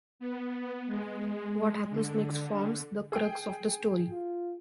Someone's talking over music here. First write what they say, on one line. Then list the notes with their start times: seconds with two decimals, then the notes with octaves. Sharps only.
What happens next forms the crux of the story.
0.19 B3
0.87 G#3
1.90 D3
3.12 G#4 G5
4.11 F4